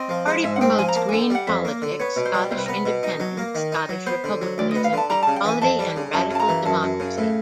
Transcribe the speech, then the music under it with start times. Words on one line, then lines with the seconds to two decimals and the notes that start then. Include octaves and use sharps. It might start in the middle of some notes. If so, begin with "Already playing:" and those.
The party promotes green politics, Scottish independence, Scottish republicanism, equality and radical democracy.
Already playing: C4 D#5
0.09 F3
0.27 G#3
0.44 G#2 E5
0.56 F#5
0.61 C4 G5
0.79 F3 G#5
0.88 A#5
0.96 A#3 A5
1.09 D3 G#5
1.21 G5
1.30 G3 F#5
1.47 F2 E5
1.65 A#3
1.82 D3
1.99 B3 C#5
2.16 B2
2.25 C5
2.34 G3
2.51 C2 C5
2.58 B4
2.66 A#4
2.68 B3 B4
2.86 B2
3.03 D#4
3.20 F#3
3.37 A#3
3.55 D#3
3.72 D#4
3.89 F#3
4.07 B3 C5
4.24 D3
4.42 F#3
4.58 D2 D5
4.71 B3 D#5
4.84 F5
4.93 D3 A5
5.10 G3 A#5
5.23 C#3 A5
5.36 G5
5.45 E3 G#5
5.61 F2 A5
5.79 G3
5.96 C#3
6.14 F#2 A5
6.31 C#3 A5
6.40 A#5
6.48 E3
6.66 F#2 A5
6.83 F#2
7.00 C#3
7.18 A2